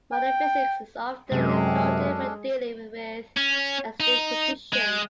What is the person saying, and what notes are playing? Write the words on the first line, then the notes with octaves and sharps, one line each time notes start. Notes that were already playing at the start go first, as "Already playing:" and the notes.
Modern physics is often encountered when dealing with extreme conditions.
G5
F#2 C3 G#3 C#4 D4 A4
C#4
D#4
G#3